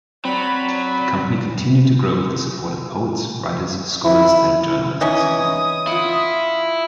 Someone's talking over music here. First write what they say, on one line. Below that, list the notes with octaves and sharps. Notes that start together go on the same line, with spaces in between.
The company continued to grow with the support of poets, writers, scholars and journalists.
F#3 C4 D5 B5
E4
E3 C#4 D#4 D#5 G#5 D#6
E4 F4 F#5